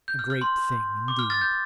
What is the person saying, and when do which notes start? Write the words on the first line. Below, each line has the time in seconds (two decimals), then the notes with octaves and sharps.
A great thing, indeed.
0.08 G6
0.19 F6
0.30 F6
0.41 C6
1.08 D6
1.19 F6
1.30 F6 A6
1.41 G6